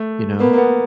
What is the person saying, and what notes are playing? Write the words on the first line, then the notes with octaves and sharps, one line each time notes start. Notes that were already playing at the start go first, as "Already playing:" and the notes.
you know?
Already playing: A3
A#3 B3
A#3
B3